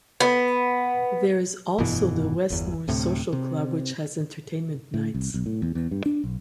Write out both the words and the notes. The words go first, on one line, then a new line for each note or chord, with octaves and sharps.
There is also the West Moors Social Club which has entertainment nights.
B3
F1 G2 B2 E3
G1 E2
D2 A2 C3
C3
A2
C2
B1
A2
E2
E2
G2
D4
B1